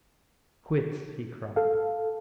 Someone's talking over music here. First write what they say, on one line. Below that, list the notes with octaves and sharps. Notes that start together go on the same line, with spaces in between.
"Quits!" he cried.
A4 F5